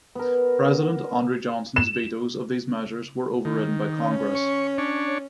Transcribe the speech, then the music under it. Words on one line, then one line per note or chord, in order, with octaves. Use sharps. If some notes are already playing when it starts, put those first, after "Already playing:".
President Andrew Johnson's vetoes of these measures were overridden by Congress.
B3 A#4
E7
D#3
C#4
C#6
D4 C#5